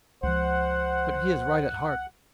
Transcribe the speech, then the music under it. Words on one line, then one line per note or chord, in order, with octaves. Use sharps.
But he is right at heart.
C#2 F3 C5 F#5